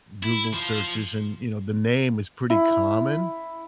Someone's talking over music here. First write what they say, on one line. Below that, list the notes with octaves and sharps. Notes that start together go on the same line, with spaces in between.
Google searches and, you know, the name is pretty common,
E4
F3 C5
E4